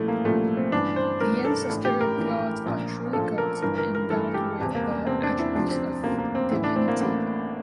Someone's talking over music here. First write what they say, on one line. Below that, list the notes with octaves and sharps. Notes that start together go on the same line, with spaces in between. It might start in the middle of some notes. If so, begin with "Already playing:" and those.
The ancestor-gods are truly gods, endowed with the attributes of divinity.
Already playing: C2 A#2 F3 A3 E4
A#3
C2 A#2 F3 A3
C4
G1 G2 E3 D4
C5
G1 G2 E3 A#4
A4
A#1 A2 E3
G4
A#4
A#1 A2 E3
A#1 A#2 F3
A#1 A#2 F3 A4
A#4
G1 G2 E3 A#4
A#4
A#4
G1 G2 E3 A4
G4
E1 E2 C3
A#3
A#3
E1 E2 C3 C4
D4
E4
D2 C3 F3 D4
C4
D2 C3 F3 A#3
A#3
C4
A1 A2 E3 E4
D4
C4
A#3
A1 A2 E3